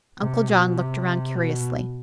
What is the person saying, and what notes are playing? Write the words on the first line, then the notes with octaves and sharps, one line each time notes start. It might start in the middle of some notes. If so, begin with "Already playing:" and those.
Uncle John looked around curiously.
C3
B2
C3
B2